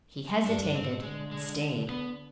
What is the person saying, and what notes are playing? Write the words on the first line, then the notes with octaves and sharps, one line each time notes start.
He hesitated and stayed.
G2 D4
D4
G#2 C4
D3 G#3
G#3
B3